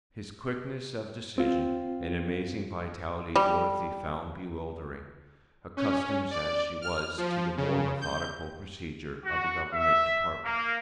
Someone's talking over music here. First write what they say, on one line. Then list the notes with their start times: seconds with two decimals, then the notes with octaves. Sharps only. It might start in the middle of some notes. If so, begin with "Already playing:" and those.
His quickness of decision and amazing vitality Dorothy found bewildering, accustomed as she was to the more methodical procedure of a Government department.
1.38 C4 F4
3.35 G3
5.77 C#4
6.31 D5
6.82 F6
7.18 F3
7.57 C#3
8.01 G6
9.24 F#4
9.73 E5
10.45 A#3